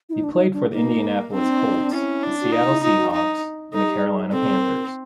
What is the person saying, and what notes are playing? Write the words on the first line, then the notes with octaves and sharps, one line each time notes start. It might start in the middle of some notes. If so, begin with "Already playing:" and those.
He played for the Indianapolis Colts, the Seattle Seahawks, and the Carolina Panthers.
E4
D#4
D4
D#4
D4
A#3 D#4
C4 D4
D#4
D4
D#4
D4
D#4
D4
C#4 E4
D4
F#4
D#4 F4
E4
D#4 F4
F#4
D#4
D#4 A4
G#4
G4
G#4
C4 A4
G#4
A4
A#4